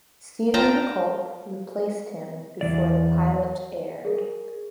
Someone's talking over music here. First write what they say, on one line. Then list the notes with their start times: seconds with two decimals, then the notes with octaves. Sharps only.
Steven Culp replaced him before the pilot aired.
0.54 F4 G5 A5 A#5
2.61 E2 E3 D5
4.05 G#4 A#4